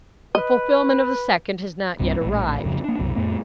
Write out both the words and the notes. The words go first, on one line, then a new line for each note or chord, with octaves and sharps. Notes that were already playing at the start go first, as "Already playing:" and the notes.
The fulfilment of the second has not yet arrived.
B4 D#5
C2 G2 C3
A#1 A2
D1 F2 C#3
A#3 D4
C2 F#2 B2
F2 A2 A3 B3